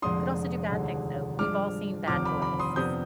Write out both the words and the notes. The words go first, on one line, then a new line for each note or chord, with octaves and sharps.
could also do bad things though. We've all seen bad tourists.
F1 F2 D3 G#3 D4 C6 D#6
F1 D#2 D3 G#3
G2 F3 G#3 D4 D6 F6
F1 D#2 D3 F3 C4 D6 F6
B5 D6
B5 D6
C6 D#6
F2 C3 F3 B3 D4 D#6 G6